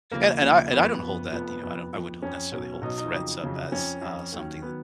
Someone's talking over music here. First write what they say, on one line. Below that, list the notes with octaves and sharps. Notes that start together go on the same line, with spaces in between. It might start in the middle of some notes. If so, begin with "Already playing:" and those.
and and I and I don't hold that, you know, I don't I wouldn't necessarily hold threats up as, uh, something that,
D#2 C#3 F3 A#3
D#2 C#3 F3
F#1 F2 F3 B3
F#1 F2 F3
F1 F2 F3 B3
B3
F1 F2 F3 B3
F2 F3
F2 F3 C#4
B1 B2 F#3
B1 B2 F#3 D#4
D#4
F2 C#3 F#3
F2 C#3 F#3
F2 F3 C#4
F2 F3
D#2 D#3 F#3
D#3 F#3 B3